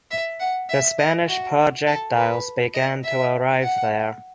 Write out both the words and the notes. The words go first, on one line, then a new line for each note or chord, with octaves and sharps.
The Spanish projectiles began to arrive there.
E5
F#5
E5
D#5
F#4
A4
B4
D#5
E5
F#5